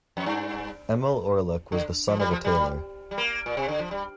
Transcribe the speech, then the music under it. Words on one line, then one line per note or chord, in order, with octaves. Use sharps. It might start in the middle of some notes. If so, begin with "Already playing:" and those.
Emil Orlik was the son of a tailor.
F2
G2
D3
F3
G3
F3
G3
G3
A#3
A#2
C3
D3
F3
G3